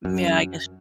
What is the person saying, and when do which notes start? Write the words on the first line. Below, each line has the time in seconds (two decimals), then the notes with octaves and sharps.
Yeah, I guess.
0.05 F#2